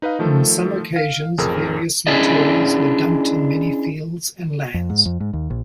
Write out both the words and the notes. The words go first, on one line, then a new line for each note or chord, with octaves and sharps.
In some occasions, various materials were dumped in many fields and lands.
D#4 B4 D#5 F5
D#3 F3 A3 A4
F5
A1 F2 G#4 A#4 E6
C#4 D4 E4 G#4 D5 D#5
F2
G#2
F2
G#2
D#2
A#1